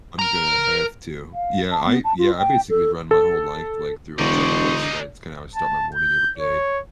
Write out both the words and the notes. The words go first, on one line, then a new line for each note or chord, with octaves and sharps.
I'm gonna have to. Yeah, I yeah, I basically run my whole life, like, through a checklist, right, it's kinda how I start my morning every day,
A#4 A#5
F5
A5
B3
A5
F4
G5
A4
A4
E1 D3 D#4 D5 C6 C#6
A5
G6
C#5